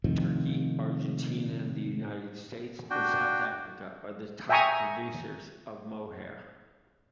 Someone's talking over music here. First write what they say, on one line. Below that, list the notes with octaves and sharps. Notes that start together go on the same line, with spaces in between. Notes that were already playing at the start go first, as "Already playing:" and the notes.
Turkey, Argentina, the United States, and South Africa are the top producers of mohair.
A2 C3 D#3 F3
D4 F#4 G5
E5 G5 G#5 A#5 C#6 D#6